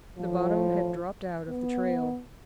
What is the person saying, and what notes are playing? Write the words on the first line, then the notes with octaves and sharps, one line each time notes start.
The bottom had dropped out of the trail.
A2 F3
B3